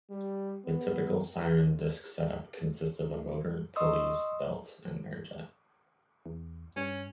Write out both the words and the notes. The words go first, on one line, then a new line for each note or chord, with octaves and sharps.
The typical siren disk setup consists of a motor, pulleys, belt, and air jet.
G3
B3
D#5 C6 C#6 D#6 E6
E2
G2 C#4